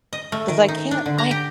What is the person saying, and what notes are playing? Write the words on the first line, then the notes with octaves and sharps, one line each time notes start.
'Cause I can't, I
D#5
A3
D#3
D#4
D4
D3
A#5
G4